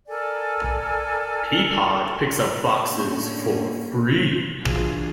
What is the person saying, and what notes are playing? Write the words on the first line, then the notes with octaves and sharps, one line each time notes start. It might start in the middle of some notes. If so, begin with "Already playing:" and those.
Peapod picks up boxes for free.
A4 A#4 D5 G#5
A2 D3 A#3 C#4
E3 A#3 D4 F4 F#4 G#4